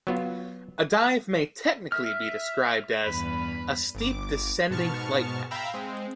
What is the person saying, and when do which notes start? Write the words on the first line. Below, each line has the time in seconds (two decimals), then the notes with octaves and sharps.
A dive may technically be described as "a steep descending flight path".
0.07 F#3 B3 F4
1.92 E5 F6
3.04 E2 G2 B4 B5
3.95 G1 D6
4.71 G#2 B2 A5 C#6 F6
5.51 E5 F5 G5 A#5 B5 E6
5.74 G#3 C4